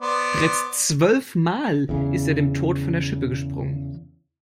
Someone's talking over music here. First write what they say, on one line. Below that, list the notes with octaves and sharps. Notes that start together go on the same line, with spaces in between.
Bereits zwölf Mal ist er dem Tod von der Schippe gesprungen.
B3 C5 D5
E2 C#3